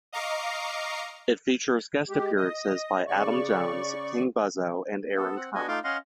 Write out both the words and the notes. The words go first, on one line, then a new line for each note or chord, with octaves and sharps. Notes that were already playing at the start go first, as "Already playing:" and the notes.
It features guest appearances by Adam Jones, King Buzzo, and Aaron Turner.
D#5 F5 A#5 C#6 D6 C7
G#3 G4
D#5 D#6
C#3 D5 C#6
B3 A4
C4 F#5
B3 D4 F#4 D#5 G#5
A3 D#4 F4 F5 C6 D6
C#4 D#5 F5 F#5 C6